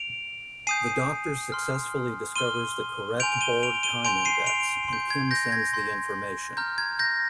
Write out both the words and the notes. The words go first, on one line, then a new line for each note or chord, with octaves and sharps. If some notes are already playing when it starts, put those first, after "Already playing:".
The Doctor successfully discovers the correct Borg time index, and Kim sends the information.
Already playing: D7 F7
G#5 D#6 G6 C7 D#7
C6 F6
C6 F6 D#7 G7
G#5 C6 G6 D7 F7
D#7 G7
D7 F7
D#7 G7
G#5 C6 G6 D7 F7
C7 D#7
D7 F7
C6 G6
G#6
G6 A#6
G#6
C6 G6
A#5 F6 G6
G#6
G6 A#6